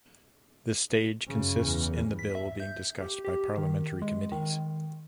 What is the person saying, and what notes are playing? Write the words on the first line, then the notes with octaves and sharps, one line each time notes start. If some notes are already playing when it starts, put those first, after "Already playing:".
This stage consists in the bill being discussed by parliamentary committees.
F#2 C#3
E2
B6
E5
G6
G4
G4
D#3
G#3
D#3